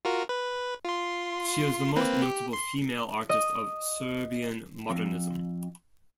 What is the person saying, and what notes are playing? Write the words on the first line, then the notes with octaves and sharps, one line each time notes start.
She is the most notable female artist of Serbian modernism.
F4 F#4 A#4
B4
F4 C6
A#3 C4 B4
G4
C6
D#5
F2